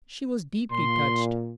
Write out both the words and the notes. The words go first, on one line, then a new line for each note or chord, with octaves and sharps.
She was deeply touched.
A#2 C6